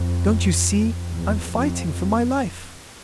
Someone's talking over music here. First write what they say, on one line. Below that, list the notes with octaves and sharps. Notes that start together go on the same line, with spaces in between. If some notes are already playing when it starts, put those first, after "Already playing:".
Don't you see I'm fighting for my life?
Already playing: F2
E2
F2